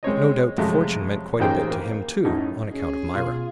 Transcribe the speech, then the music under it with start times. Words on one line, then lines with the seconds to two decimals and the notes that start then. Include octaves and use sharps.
But no doubt the fortune meant quite a bit to him too on account of Myra.
0.03 G#3 C4 C#5 D#5
0.58 F2 C3 F#3 G#3 A3
1.39 A1 A#3 D#4 G#4 C5 G5
1.70 A#3
2.25 F#2 A2 C#4 D#4
2.73 C#4 G#4
3.15 B2 F4